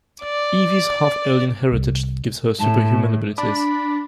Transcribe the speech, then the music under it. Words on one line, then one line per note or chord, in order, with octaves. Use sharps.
Evie's half-alien heritage gives her superhuman abilities.
D5
C2
A2 A5
D4 B5